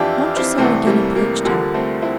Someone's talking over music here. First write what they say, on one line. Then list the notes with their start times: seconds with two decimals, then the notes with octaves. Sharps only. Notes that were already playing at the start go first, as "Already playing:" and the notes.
Montresor again approached her.
Already playing: F2 E3 D4 E4 F4 G4
0.36 C4 E4
0.58 C2 C3 E3 A3 C4
0.87 G3 A#3
1.16 G3 A#3
1.44 D2 D3 F3 G3 A#3
1.74 A3 C4
2.02 C4 E4